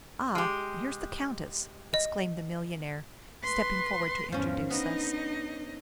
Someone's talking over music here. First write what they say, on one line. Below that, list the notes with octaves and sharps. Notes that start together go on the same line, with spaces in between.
"Ah, here's the Countess!" exclaimed the millionaire, stepping forward to introduce us.
G#3 G4
D#5
B4 C6
E2 G#2 F3 C#4
B3 D4 D#4 D#5